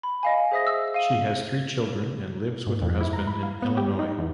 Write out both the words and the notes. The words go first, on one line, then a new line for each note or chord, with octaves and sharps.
She has three children and lives with her husband in Illinois.
B5
D#5 F5 G#5
G#4 C5 E5 D#6 A#6
E6
F5 D#7
D#7
G#2
F2
E4
A#5
B5
F5
B3
G4
D#4
E2